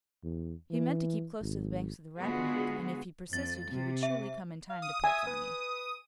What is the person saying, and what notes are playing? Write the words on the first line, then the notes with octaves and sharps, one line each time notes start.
He meant to keep close to the banks of the Rappahannock, and if he persisted he would surely come in time to Pope's army.
E2
E3
G#1
D3 G#3 B3 F4 F#4 G#4
F2 A6
C3
E5
F5
D#6
E5 G#5
B4